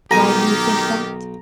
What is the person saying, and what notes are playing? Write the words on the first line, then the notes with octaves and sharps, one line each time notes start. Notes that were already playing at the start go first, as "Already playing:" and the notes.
"Why do you think that?"
B1 D#3 G4 G#5 A#5